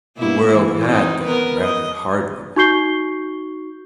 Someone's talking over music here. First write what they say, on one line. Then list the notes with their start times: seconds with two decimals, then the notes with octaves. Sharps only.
The world had gone rather hardly with her.
0.17 B2 A#3 E4
0.54 E3
0.85 C4 D#4
1.23 B3 A#4 B4
1.62 D#5
2.56 D#4 F#4 C#6 G6 C7 G7